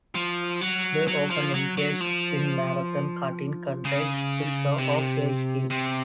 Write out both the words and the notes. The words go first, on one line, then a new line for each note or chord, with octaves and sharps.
They often engaged in marathon cutting contests to show off their skills.
F3
F#3
F#3
F3
F#3
F#3
F3
C#3
C3
C3